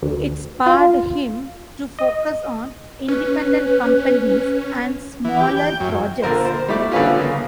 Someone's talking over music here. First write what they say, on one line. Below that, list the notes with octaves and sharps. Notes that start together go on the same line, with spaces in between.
It spurred him to focus on independent companies and smaller projects.
D2
F4
D#5
C#4 B4
E3
G4
G5
F#2
A#2 D3 A#4 C5
C5
G3 A3 E4 D6
D3 G3 B3 C#4 E4 F4
C#3 A#3